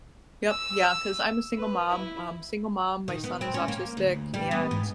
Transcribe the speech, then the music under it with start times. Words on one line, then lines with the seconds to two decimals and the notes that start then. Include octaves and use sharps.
Yep, yeah, 'cause I'm a single mom, um, single mom, my son is autistic, and,
0.50 E6
1.58 B4
1.90 E4
3.08 D#3
3.24 B3
3.41 C4
3.54 C#4
3.68 A#3
3.97 D2
4.34 G3
4.51 B3
4.71 G#2